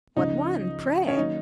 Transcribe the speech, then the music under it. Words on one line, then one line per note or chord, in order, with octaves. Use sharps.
"What one, pray?"
C#2 C#3 F3 D#4
C#4
D#3 F#3 A#3 D#4